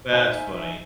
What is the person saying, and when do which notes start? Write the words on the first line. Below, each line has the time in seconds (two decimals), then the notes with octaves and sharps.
That's funny.
0.13 D#4 C5 E5 F5 G#5